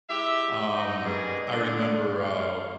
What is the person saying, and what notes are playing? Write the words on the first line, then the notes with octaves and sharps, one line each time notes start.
Um, I remember, uh,
G#3 E4 G4 E5
D#4
B2 G3 G#3 A#3 G#4
D3 D4
F5